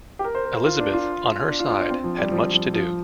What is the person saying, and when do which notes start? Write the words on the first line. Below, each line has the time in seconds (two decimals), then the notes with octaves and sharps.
Elizabeth, on her side, had much to do.
0.19 G4
0.24 A#4
0.35 C5
0.45 A#4
0.65 F4
0.80 D4
0.94 F4
1.49 D4
1.59 F4
1.70 F4
1.80 D4
1.90 C4
2.04 F3
2.18 G3
2.32 F3
2.52 F3
2.74 F3